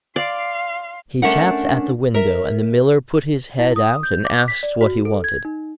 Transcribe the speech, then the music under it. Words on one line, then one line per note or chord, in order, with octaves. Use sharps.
He tapped at the window, and the Miller put his head out and asked what he wanted.
D5 F5 C6
A3 A#3 C#4 D4 A#4 F#5
A#4 E5
E4
D#6
G6
D6
B6
D5
F#4
A4
G#6
D#4